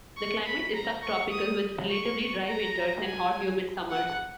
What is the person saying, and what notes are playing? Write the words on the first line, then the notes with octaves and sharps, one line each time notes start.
The climate is sub-tropical with relatively dry winters and hot humid summers.
C#6
B5
A#5
C#6
D#6
C#6
A#5
G#5
F#5